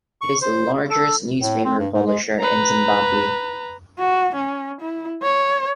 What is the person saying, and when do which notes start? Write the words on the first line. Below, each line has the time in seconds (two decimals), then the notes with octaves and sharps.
It is the largest newspaper publisher in Zimbabwe.
0.21 C#6
0.42 C5
0.90 A4
1.40 A2
1.65 C4
1.79 G2
1.94 G#2
2.06 G#3
2.40 B4 A#5
3.98 F#4
4.35 C#4
4.81 E4
5.23 C#5